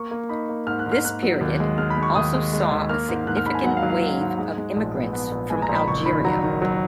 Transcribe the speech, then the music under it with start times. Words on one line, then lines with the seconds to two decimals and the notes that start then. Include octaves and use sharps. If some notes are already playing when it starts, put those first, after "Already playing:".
This period also saw a significant wave of immigrants from Algeria.
Already playing: A#3 C#6
0.11 A#3
0.29 D#4 B5
0.49 A#3
0.67 G#2 F6
0.79 F#6
0.86 G#2
0.92 F6
1.04 A#3 F#6
1.23 F#3
1.41 D#2
1.60 G#3
1.78 G#3 F6
1.90 B5
1.97 G#3
2.03 C#6
2.15 D#2 D#6
2.34 G#3
2.53 G#3
2.72 D#2
2.89 A#3 F6
3.08 G#2
3.27 G#2 F#6
3.37 F6
3.46 G#2 B5
3.55 G#5
3.64 F#3 F#5
3.77 F5
3.83 F#3
3.90 F5
4.01 G#2 F#5
4.20 G#2
4.39 G#3
4.58 G#3
4.76 A#1
4.94 B3
5.13 B3
5.31 A#1
5.50 G#3 G#5
5.62 A#5
5.69 A#1
5.75 B5
5.88 F#1 C#6
6.06 D#3 B5
6.25 F#3 A#5
6.43 D#3
6.62 F#3